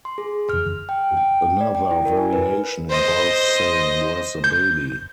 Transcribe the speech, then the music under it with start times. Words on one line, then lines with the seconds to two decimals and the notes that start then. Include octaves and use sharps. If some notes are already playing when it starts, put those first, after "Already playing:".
Another variation involves saying Where's the baby?
0.05 C6
0.18 G#4
0.49 F6
0.89 G5
1.17 G5
1.61 D5
1.75 G5
1.91 E4
2.05 A#4
2.17 G#5
2.33 B4
2.90 C5 D#5
4.44 G6